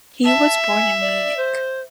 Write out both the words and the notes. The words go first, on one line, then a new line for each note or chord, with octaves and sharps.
He was born in Munich.
E5 A5
G#5
D5
C5